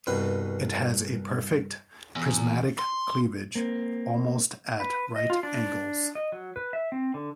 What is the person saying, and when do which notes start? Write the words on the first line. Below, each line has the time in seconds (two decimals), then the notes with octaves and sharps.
It has a perfect, prismatic cleavage, almost at right angles.
0.07 C2 G2 B2 B4
2.16 E2
2.79 C6
3.55 A#3 C4
4.80 B4
5.16 D#5
5.30 F4
5.43 D4
6.15 D#5
6.32 F#3
6.56 B4
6.73 E5
6.92 C4
7.14 D3